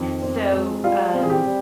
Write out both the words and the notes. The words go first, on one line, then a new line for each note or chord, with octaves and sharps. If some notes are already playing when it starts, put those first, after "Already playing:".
So, um,
Already playing: F2 D#3
C4
G#3
G3 F4
C4
G#4
G4
G3